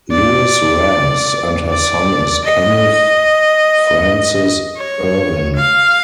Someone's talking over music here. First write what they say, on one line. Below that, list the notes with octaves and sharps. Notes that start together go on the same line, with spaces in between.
Louis Rams, and her son is Kenneth Francis Irwin.
D5
D5
D#5
C#5
F5